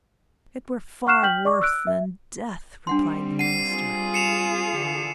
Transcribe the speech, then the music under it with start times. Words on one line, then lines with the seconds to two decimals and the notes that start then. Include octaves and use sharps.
"It were far worse than death!" replied the minister.
1.07 F#5 C#6 F6 F#6 C7 E7
1.23 G5 F6 G6 B6 F#7
1.45 D5 C#6 D6
1.62 E6 F#6 D7
1.87 E5
2.87 G3 C4 D4 F#5 C6
3.39 F#5 C7 D#7
3.70 F4 G#4
4.14 C#7 E7 F7
4.74 D3 E3 A4